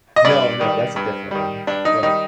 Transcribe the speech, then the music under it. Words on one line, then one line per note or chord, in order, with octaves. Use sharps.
No, no, that's a different one, but
D#5
G2 D5
D#3 G3
G2
D#3 G3
G2 D4
D#4
D#3 G3 D#4